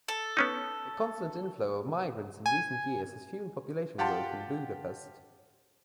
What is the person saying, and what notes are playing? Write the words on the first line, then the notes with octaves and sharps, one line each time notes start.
A constant inflow of migrants in recent years has fuelled population growth in Budapest.
A4
B3 C#4 D#4
G#5
F4 G4 F#5 G5 A5 C6